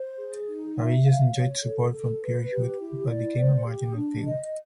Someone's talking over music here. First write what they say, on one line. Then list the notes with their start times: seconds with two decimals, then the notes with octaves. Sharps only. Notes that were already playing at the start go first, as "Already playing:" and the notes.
Varillas enjoyed support from Pierre Huet but became a marginal figure.
Already playing: C5
0.18 G#4
0.48 D#4
0.77 E5
1.05 F5
1.35 C#5
1.63 A4
1.93 A4
2.21 B4
2.50 G4
2.80 E4
3.08 D5
3.38 C5
3.66 G4
3.95 D4
4.24 D#5